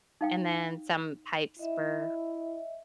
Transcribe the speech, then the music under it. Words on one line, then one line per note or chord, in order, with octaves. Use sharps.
and then some pipes bur
D#4 F5 G5
E4 D#5 E5